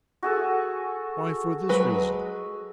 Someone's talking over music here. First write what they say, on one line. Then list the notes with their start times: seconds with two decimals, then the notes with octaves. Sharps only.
'Why, for this reason.
0.23 F#4 G#4 A4
1.69 F#3 G#3 B4